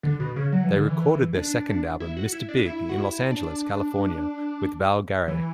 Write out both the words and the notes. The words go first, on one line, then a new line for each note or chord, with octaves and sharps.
They recorded their second album, "Mr Big", in Los Angeles, California, with Val Garay.
D3
B2
C#3
F#3
E3
D3
E3
D4
E4
F#4
E4
D4
E4
F#4
E4
D4
E3